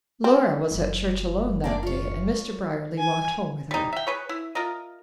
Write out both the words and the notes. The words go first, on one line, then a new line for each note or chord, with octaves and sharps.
Laura was at church alone that day, and Mr. Brierly walked home with her.
C4
F#1
A#3 D4 D5
F4 C#5
G#5
G3 D#4
E5 G5
G#4 B4 C#5
E4
F4 A#4 D#5